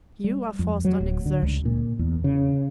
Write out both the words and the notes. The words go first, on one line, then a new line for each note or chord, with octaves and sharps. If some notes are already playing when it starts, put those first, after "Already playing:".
You are forced on exertion.
G3
F2
F#3
D1
D3
C#2
A#2
E2
C#3